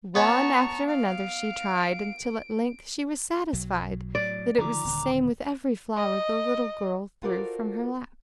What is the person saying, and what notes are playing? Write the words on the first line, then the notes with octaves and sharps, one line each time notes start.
One after another she tried, until at length she was satisfied that it was the same with every flower the little girl threw from her lap.
B3 C#5 A5 A#5 C#6
F5 D7
B1 F#3
A2 F#3 D5
D3 D#3 F3 A#5 D6
D#1 D3
D#5
F4 F#4 A4 A#4 C5 D5